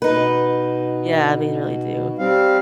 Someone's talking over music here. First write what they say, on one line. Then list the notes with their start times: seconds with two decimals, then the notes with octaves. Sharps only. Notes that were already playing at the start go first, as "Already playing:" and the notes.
Yeah, they really do.
0.02 B2 D#4 B4
2.18 G3 C4 F5